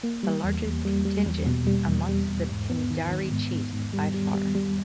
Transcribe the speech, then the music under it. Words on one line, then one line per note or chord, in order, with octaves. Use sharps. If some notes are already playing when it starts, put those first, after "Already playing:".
The largest contingent amongst the Pindari chiefs, by far.
A#3
G3
E2
E2
G3
G3
E2
B2
G3
E2
G3
E2
G#2
B3
D#3
D#3
G#2
G#2
G#2
G3
G3
G3
G3